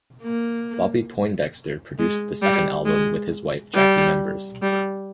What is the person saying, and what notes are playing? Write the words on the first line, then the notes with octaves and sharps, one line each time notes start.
Bobby Poindexter produced the second album with his wife Jackie Members.
A#3
G#3
G3
G#3
G3
G3